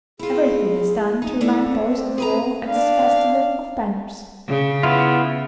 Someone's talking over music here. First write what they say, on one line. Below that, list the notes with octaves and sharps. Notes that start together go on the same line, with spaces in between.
Everything is done to remind boys of war at this Festival of Banners.
E4 F4 G#4
D#4
A3 A#3 D4 E4
C4
G#4 B4 A#5
D4 F5
C#3
B3 E4 F4